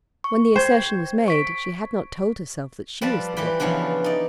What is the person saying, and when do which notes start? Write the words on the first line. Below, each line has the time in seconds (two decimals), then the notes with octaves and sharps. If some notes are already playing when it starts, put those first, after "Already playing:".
When the assertion was made she had not told herself that she was the woman.
0.24 C#6
0.56 C5 G5 G#6
1.28 C#6 B6 D7
3.01 F3 G3 B4 D5 A5
3.37 E3 G4 B4 G5
3.60 C#3 E3 F3 B3 D4
4.04 D#4 D5